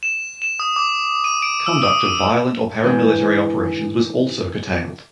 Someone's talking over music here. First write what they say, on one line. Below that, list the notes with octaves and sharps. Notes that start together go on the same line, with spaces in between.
Conduct of violent or para-military operations was also curtailed.
E7
E7
D#6
D6
D#7
D7
E6
D#6
D#7
G#2 B2 D3 E3